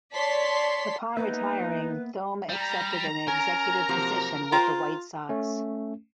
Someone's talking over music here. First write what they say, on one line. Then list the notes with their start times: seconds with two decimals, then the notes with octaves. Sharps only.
Upon retiring, Thome accepted an executive position with the White Sox.
0.14 C#5 D5 A5 C6 B6
1.17 A#3 B3 D#4 B4 E5
2.49 G3 A#5
3.28 C#4 A#4
3.89 C3 F3 F#3 A#3
4.52 F4 C5 G5 A#5
5.29 A3 C#4